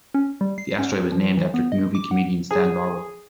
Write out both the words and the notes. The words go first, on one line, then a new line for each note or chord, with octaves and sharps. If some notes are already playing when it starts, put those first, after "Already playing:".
The asteroid was named after movie comedian Stan Laurel.
C#4
G3
C7
C#4
F3
E3
B3
D#5
D6
F#5
G#4